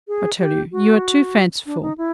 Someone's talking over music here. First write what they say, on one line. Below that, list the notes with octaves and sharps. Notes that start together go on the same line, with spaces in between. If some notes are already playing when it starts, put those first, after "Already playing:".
I tell you, you are too fanciful.
G#4
G4
F#4
D4
D#4
E4